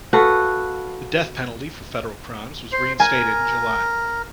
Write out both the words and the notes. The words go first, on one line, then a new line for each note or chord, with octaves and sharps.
The death penalty for federal crimes was reinstated in July.
F#4 A4 B4 F5
C5
A#4 G#5 D#7